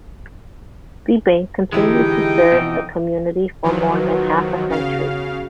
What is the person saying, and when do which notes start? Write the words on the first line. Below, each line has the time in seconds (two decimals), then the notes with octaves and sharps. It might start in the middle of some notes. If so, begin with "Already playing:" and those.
The bank continued to serve the community for more than half a century.
1.73 D3 E3 G#3 D#4 E4 G4 D#5 G5
2.52 F2 B2 E3
3.63 B2 D#3 F3 F#3
4.69 C#3 F5